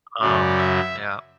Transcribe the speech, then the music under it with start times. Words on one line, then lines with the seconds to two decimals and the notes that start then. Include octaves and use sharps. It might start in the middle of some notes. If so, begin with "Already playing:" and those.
um yeah,
0.22 F#2 C#3 F#3 D5
0.58 E5